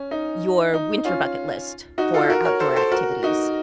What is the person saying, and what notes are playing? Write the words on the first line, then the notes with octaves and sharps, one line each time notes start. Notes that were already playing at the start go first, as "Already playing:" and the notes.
your winter bucket list for outdoor activities?
Already playing: C#4
D#4
D#4
C#4 F4
D#4 F#4
F4 A4
F#4 A#4
A#4 C#5
A4 C5
A4 C5
F#4 A#4
D#4 F#4